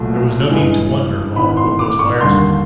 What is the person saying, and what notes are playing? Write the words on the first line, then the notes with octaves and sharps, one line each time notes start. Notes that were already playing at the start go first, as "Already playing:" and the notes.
There was no need to wonder long what those wires meant.
Already playing: C2 A#2 F#3 A3
G2 E3 G#3
G#1 G#2 E3 B5
C6
D6
C#6
D#2 D3 G3 A#3 C6